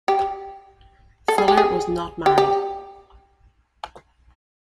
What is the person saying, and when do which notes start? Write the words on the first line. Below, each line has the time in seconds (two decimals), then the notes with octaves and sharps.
Fuller was not married.
0.08 G4
1.28 A4
1.38 G#4
1.48 G4
1.57 G#4
2.26 G4
2.38 G4